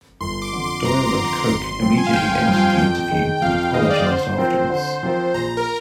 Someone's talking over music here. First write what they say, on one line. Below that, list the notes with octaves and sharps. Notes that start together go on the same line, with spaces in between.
Doyle and Koch immediately ended the interview and apologised afterwards.
G1 C6
D6
F2 D3
C6
G1 A#5
C6
F2 D3
C6
A#5
G#1 C6
G2 F3 C4 C6
G#5
F5
G#1 G5
G2 F3 C4
F5
G5
F2 G5
D#3 G#3
G5
F2 F5
F5
D#3 G#3 D#5
D5
D3 C5
F3 C4 F4 A#4
D3
F3 C4 F4 A#4
A#1 A#5
A#4